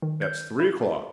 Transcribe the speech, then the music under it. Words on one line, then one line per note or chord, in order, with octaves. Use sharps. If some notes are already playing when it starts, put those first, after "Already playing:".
That's three o'clock.
D#3
G6
E4